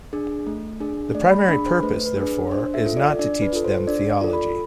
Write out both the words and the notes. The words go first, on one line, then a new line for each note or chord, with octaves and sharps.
The primary purpose, therefore, is not to teach them theology.
D4 G#4
A3
D4 G#4
A3 D5
B5
D4 G#4 B5
C5
A3 B4
B4
D4 G#4
D4 C5
E5
F4 A4
D5
D4 D5
B4
F4 A4
C5
D4 D5
D5
F4 A4
B5